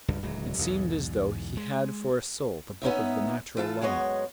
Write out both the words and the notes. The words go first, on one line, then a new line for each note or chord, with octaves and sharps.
It seemed as though he had for a soul the book of the natural law.
C#2 G2
D1 C#2 F#3
B1 E2 G#2
G#3
B3 C#4 D#4 E5
E3 F4 A4 A5
F#2 G#3 B3 C#5 D#5